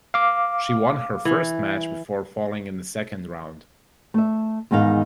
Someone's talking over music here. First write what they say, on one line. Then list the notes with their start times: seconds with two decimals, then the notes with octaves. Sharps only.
She won her first match before falling in the second round.
0.14 F5 D6
1.25 E3
4.14 A3 E5
4.71 E2 G#2 D#3 D#4 F5